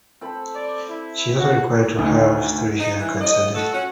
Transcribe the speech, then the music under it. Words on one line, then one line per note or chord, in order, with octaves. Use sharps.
She is also required to have three haircuts a day.
C4 A4 B5
D5
E4
F#4
D2 D#4
D#4
E3
A2 D#5
A3 F#4 A4
C#4 F#4